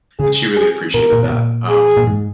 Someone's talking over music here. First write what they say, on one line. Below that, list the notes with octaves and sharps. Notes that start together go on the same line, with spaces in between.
and she really appreciated that, um,
C#3 G#4
G#4
B2 A#4
A#2
B2
A#2
G#4
A#2
G#2